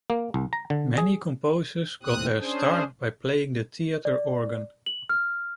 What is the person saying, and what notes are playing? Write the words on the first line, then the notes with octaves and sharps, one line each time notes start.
Many composers got their start by playing the theatre organ.
A#3
C2
A#5
D3
G#4
D#2 A2 C3 C4 D#6 F#6
C#4 D4 G#4 C5
D5
F#7
F6